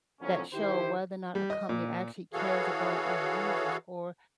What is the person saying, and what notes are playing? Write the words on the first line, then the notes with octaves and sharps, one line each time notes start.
that show whether or not a company actually cares about its users or
F2 A2 D3 F#3 C#4
D#3 E4 G4 C5
G3
D#5
A#2
E3 F#4 G#4 A4 C#5 F5